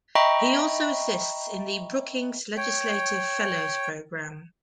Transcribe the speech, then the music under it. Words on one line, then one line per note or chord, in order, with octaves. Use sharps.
He also assists in the Brookings Legislative Fellows program.
D#5 E5 G5 A#5 B5 C#6
C#5 G5